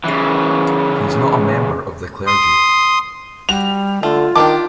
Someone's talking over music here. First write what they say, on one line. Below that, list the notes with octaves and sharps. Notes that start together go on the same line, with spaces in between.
He is not a member of the clergy.
C#3 E3
C6 D#6
G3 F#4 F7
D3 A3 F4
D#3 D4 G4 A5 D6